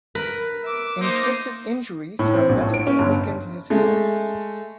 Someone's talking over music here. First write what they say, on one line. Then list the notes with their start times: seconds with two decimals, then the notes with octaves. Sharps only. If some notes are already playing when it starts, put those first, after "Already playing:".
Inflicted injuries dramatically weakened his health.
0.15 A#4 B4 B5
0.63 E5 D6
1.02 A#3 D#4 C5 D6
2.19 A2
2.33 C4
2.49 A#1
2.61 A2
2.74 D7
2.87 C#4
2.99 G1
3.70 G#3 A3